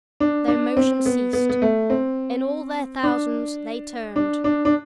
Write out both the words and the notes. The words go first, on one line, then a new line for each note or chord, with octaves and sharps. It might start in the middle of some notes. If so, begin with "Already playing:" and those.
Their motion ceased; in all their thousands they turned.
D4
D4
C4
B3
B3
B3
A3
C4
D4
D4
D4
D4